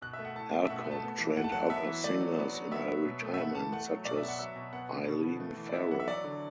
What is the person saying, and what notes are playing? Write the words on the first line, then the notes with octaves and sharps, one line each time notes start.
Alcock trained other singers in her retirement such as Eileen Farrell.
B2 F#6
E5
A3
F#5
A2 A5
A3
E5
B2 F#5
E5
A3
A5
B3
E3
A3 F#5
A5
F#3 F#5
B3 E5
E3
A3 D5
F#3
B3
F#3
B3 E5
F#3
B2
A3
E5
B3 F#5
E3 A5
A3 F#5
F#3
B2 D5
E5
B3
F#5
F#3 E5
B2
B3 F#5
D3
B2
B3
A3
E3
D5
B3 E5
E3 F#5
E5
F#3 D5
D3